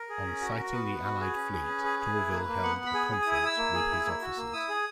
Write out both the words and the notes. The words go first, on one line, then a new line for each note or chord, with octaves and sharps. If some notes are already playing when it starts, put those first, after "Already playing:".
On sighting the allied fleet Tourville held a conference with his officers.
Already playing: A#4
G#4
C#4
F#4
F#4
B3 B4
B3
F#4
G#4
C#4
G#4
C#4
G#4
G#4
E4
A#3
A#3
B3 F#5
B3
B5
G#4
G#4
D#6
E4
D#6
E4 E6
A#3
G#4
E4
A#3
F#4
A#3
E4 D#6
G#4